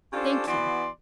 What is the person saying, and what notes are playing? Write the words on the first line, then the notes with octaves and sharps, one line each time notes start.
"Thank you."
C#4 D4 F4 G4 A4 C5
E3 B3 F#4 D5 C6